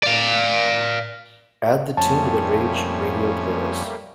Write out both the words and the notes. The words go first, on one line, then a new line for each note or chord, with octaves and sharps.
Add the tune to the Rage Radio playlist.
D5 F5
F2 G3 A3 A#3 C#4 A5